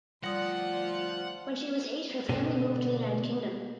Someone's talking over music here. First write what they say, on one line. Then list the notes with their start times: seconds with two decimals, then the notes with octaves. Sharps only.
When she was eight her family moved to United Kingdom.
0.24 D2 F3 G3 D5 F#5 C6 D#6
2.29 B2 D3 B3 D4